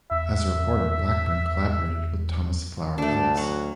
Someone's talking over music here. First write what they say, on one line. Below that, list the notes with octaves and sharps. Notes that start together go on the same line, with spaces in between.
As a reporter Blackburn collaborated with Thomas Flower Ellis.
E2 E5
D2 A3 D4
F#3